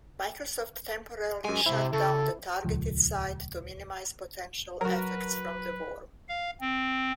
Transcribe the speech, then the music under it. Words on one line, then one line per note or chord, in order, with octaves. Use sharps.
Microsoft temporarily shut down the targeted site to minimize potential effects from the worm.
F#2 G#3 G#5
C3 G#3 E4 C5
C#3 A4
D#1 C#2 F3
F#3 F#4 A#4 B4
F5
C4